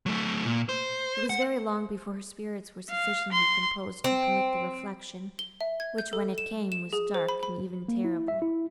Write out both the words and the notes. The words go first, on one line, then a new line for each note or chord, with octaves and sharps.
It was very long, before her spirits were sufficiently composed to permit the reflection, which, when it came, was dark and even terrible.
F#3 A3
A#2
C5
F#5
F5
C6
C4
G7
E5
G#6
G6
A4
E7
E7
G#4
C5
B5
B5
A#3
E4
E5
E4